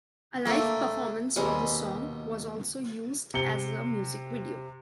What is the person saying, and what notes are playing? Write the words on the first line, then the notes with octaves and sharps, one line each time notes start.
A live performance of the song was also used as a music video.
D3 A3 A#3 C4 A4
D#2 B2 G3 C4 G#4
C3 C#7 G7